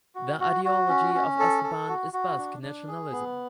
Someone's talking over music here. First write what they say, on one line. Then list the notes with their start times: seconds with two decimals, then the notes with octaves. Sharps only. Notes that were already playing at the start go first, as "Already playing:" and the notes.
The ideology of Esteban is Basque nationalism.
0.15 F#4
0.40 F#4
0.65 F#4
0.89 C#4
1.15 C#4
1.39 A4
1.64 A4
1.89 F#4
2.13 F#4
2.38 D4
2.62 D4
2.88 G#4
3.12 B3